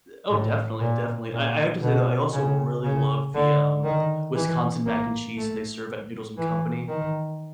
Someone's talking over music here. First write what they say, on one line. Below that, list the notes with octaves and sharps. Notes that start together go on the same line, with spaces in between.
th oh, definitely, definitely, I I have to say though, I also really love the, um, Wisconsin mac and cheese that they serve at Noodles and Company.
A2
A#2
A#2
B2
C#3
C#3
D3
D#3
E3
A#3
A3
E3
D#3